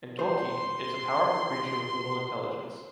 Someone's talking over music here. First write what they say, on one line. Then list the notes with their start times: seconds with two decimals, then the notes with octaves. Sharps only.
In Tolkien, it’s a powerful creature with little intelligence.
0.19 C5 C6